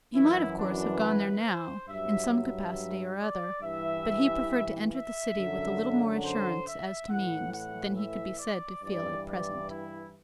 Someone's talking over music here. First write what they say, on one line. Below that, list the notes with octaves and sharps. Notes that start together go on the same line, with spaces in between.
He might, of course, have gone there now, in some capacity or other, but he preferred to enter the city with a little more assurance as to means than he could be said to feel at present.
F#2 E3 E4
D4
B4
C5
G2 F#3 E5
E5
D5
G2 E3 E5
E5
F#2 D3 F#3
C5
E5
A2 E3 F#5
F#5
E5
D5
G2 E3 D5
D5
E4